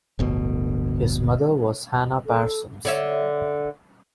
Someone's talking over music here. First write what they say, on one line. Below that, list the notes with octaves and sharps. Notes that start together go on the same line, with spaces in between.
His mother was Hannah Parsons.
D1 G1 B2
A4
D3 C#5 E5